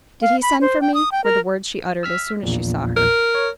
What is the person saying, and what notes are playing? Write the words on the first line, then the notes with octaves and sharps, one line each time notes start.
"Did he send for me?" were the words she uttered as soon as she saw her.
F5
B5
C5
G5
D#6
G5
A#4
E6 F6 B6
A#1 E2 A#2
A#4
C#5